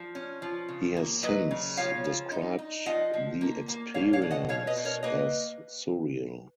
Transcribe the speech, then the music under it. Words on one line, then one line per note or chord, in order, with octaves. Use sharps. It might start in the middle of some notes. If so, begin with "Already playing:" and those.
He has since described the experience as "surreal".
Already playing: F3
C#4
F3
C#3
A#3
F#3 B4 D#5
C#3
F3 C#5 F5
F3
D#4
D#4
F3 D#5 F#5
F3
A#3
A#3
B2 C#5 F5
C#5 F5
B2
D#5 F#5
B2 C#5 F5
B4 D#5
B2
A#4 C#5
A#3 B4 D#5